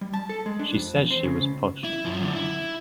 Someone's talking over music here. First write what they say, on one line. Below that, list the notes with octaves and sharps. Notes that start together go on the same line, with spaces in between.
She says she was pushed.
G3
A5
A4
G#3
D4
F2
E2
C4
C#3
C#2
E4
F#2 F3
F#2 D3
E4